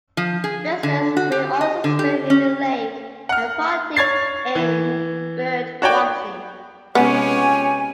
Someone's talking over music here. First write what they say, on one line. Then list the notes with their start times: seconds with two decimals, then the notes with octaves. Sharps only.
Visitors may also swim in the lake and partake in birdwatching.
0.17 F3
0.44 G#4
0.83 D3
1.17 F#4
1.32 G4
1.61 D#5
1.84 D3
1.99 G4
2.30 C#4
3.29 F#5 F6
3.96 C#5 G#6 A6 C7
4.55 E3
5.82 F#4 C#5 D5 G5
6.95 C3 G#3 B3 C#4 F4 G4 C#5 G#5